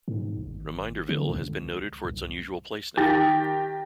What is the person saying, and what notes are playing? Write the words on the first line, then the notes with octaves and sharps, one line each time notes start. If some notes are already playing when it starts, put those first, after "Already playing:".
Reminderville has been noted for its unusual place name.
G#2
G#1
D3
C#2
C2
D#3 G4 G5 A6 A#6